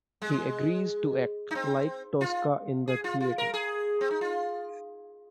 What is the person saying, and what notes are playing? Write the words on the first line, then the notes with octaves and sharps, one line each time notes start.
He agrees to act "like Tosca in the theatre".
G#3
D#4
C4
F4
G#4
F4
F4
A#4
G#4
C4
D#4
F4